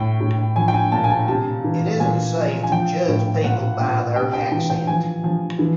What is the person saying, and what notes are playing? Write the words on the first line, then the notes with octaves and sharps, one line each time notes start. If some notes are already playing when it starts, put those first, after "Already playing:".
It isn't safe to judge people by their accent.
Already playing: A2 G5
A2
F3 G#5
G5
G#5
A#2 A5
G#5
A5
C3 A5
E3
A#2 G#5
F3
G#5
F3 G5
A2
A#2 F#5
A#2
C3 G5
G5
E3 G5
G5
F3 G#5
F3
E3